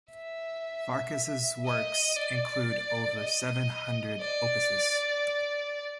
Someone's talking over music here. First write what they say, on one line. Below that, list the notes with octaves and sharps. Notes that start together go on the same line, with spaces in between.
Farkas's works include over seven hundred opuses.
E5
D#5
D5
D#5
D5